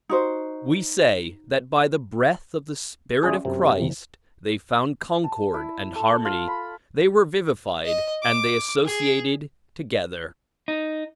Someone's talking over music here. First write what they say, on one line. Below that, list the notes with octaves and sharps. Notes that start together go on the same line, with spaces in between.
We say that by the breath of the spirit of Christ they found concord and harmony, they were vivified, and they associated together.
D#4 F#4 C5
G1 C#4 G#4 D5 E5
F#2 C3
F#1 E3
A5
E4
A4
F4
B5
D#5
D6
G#4
D#4